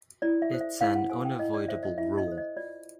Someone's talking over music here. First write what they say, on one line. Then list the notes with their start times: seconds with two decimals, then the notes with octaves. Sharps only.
It's an unavoidable rule.
0.22 E4 D5
0.42 E5
0.51 A4 C5
0.61 E5
0.81 E4 F5
0.95 F#5
1.10 A4 C5 G#5
1.25 G5
1.39 E4 D#5
1.54 D5
1.68 A4 C5 E5
1.83 D#5
1.98 E4 E5
2.17 D#5
2.28 A4 C5
2.38 D#5
2.57 F4 D5